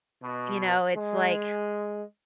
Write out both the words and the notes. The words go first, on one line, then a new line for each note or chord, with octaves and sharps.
you know, it's like
B2
G#3